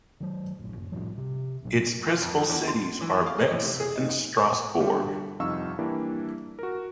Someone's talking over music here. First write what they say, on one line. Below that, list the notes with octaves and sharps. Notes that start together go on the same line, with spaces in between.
Its principal cities are Metz and Strasbourg.
D#3 F#3
D1 A#1
F#1
C2 A2 F3 G3
C3
A#1 B2 F#3
F4
F2
E2
C6
E3
F5
D#5
A1
C3
G#4
D#4
D3 G3
C2 F2 D#4 F5 C#6 E6
E3 G3 A#3 D4 E4
F#4 A#4